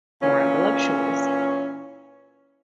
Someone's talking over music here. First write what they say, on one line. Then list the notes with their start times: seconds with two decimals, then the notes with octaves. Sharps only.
more voluptuous,
0.22 A#2 E3 C#4